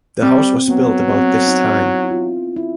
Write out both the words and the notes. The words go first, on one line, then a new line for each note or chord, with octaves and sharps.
The house was built about this time.
G3 C4
F#3 B3
C4
D#4
E4
E4
F4
E4